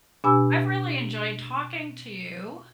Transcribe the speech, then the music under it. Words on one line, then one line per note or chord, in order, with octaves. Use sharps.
I've really enjoyed talking to you.
B2 D4 G4 G#5 B5 E6